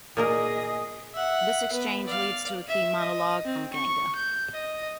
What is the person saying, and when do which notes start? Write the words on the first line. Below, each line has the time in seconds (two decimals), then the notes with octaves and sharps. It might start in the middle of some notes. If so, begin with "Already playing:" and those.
This exchange leads to a key monologue from Ganga.
0.17 A#2 A#3 G#4 A#4 D#5 D#6
1.14 E5 F#5
1.72 B3 B4
2.06 D5 F5
2.68 E5
3.00 D#5
3.45 C4
3.73 C#6
4.16 G6
4.54 D#5